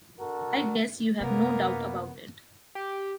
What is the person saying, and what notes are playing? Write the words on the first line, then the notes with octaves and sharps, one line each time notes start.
I guess you have no doubt about it.
D4 F#4 A4 A#4
F#2 C3 A#3 B3 C#4 A#4
G4